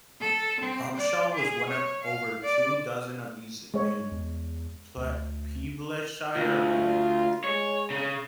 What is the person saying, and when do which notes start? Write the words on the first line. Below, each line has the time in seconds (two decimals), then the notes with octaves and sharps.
Hawkshaw was one of over two dozen of these in Peeblesshire alone.
0.20 A4
0.60 C4
0.96 D5
1.34 G#4
1.69 C#5
2.03 F5
2.42 D5
3.74 G#3 C#5
4.11 E2
4.97 D2
6.36 D2 F4
7.44 G#3 C#5
7.90 C#3